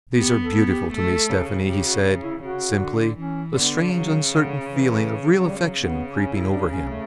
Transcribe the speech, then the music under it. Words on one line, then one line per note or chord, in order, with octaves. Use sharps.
"These are beautiful to me, Stephanie," he said, simply, a strange, uncertain feeling of real affection creeping over him.
B3 G4
A4
B3
G4
A3 A4
C#3
C#3 G4
F#4
E4
C#3 F#4
D3
E3 C#4
D3 B3
C#3 F#3
D3
E3
C#3 F#3
G3
F#3
B3
C#4
E4
D4
C#4
A3